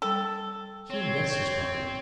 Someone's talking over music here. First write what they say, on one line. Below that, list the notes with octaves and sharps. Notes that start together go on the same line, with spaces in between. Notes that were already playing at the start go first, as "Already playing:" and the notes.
He invests his property.
G3 A4 G5
C4 C#5